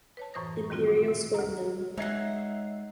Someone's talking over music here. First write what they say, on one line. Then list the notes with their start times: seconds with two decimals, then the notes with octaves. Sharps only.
Imperial scored none.
0.17 B4 C#5 A5
0.34 F#2 A2 E3 C5 D#6 A#6
0.70 D#3 G3 C4 F4 F#4
0.87 A#2 F#3
1.08 C3
1.34 D2 A#5
1.98 G#3 D#4 C#5 D#5 E5 F#5 G#6 C7